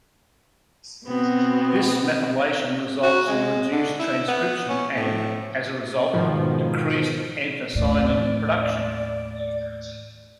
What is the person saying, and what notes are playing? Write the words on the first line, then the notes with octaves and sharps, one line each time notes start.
This methylation results in reduced transcription and, as a result, decreased anthocyanin production.
B2 B3 C4 F#4
F#4
G#3
D3
E4
B3
C#4
A2
G#2 B2 D#3 F3
D#2 A2 D5